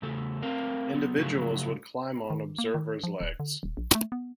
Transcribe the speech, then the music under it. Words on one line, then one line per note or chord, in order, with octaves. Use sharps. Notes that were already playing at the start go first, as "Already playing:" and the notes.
Individuals would climb on observer's legs.
E2 C#3 A3 A4
A3 C4 A#4 F5
F#3 B3
C#3 F3 F#3 A3 F#4 G#4
D#3
A#3
D#3
F3
D1
D3
D#1
A#1
A3
B3